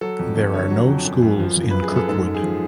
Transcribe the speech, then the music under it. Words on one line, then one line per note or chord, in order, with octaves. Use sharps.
There are no schools in Kirkwood.
F#3 A4
F2
F2
D3 C#5
F#3
F2
F#2
F#2
F3
F3
B4
F#2
G#4
F#2 A4
G#2 A4
G#2
G#4
F3